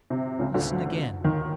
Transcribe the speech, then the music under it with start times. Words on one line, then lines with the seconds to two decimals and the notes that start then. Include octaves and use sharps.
Listen again.
0.10 C3
0.39 C#2 C#3
0.54 D2 D3
1.24 D#2 D#3